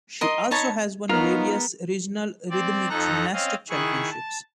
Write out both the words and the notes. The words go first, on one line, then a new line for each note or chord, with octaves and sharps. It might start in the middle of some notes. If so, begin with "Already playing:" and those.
She also has won various regional rhythmic gymnastics championships.
A#4 D#5 C6
D#4 C#5 A5 B5
B3 D#4 F4 A#4 C#5
C4 D5
F2 D#4 A4 A#5 F#6 A#6
C4 C#4 D#5 F5
D#3 E4 G#4 C#6 F#6
A5